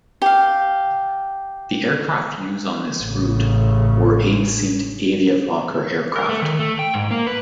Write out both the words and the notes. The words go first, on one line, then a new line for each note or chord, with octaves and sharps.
The aircraft used on this route were eight-seat Avia-Fokker aircraft.
G4 F5
A1 C#3
A#4
A3
D#3
A3
G5
G#2
A#3
B4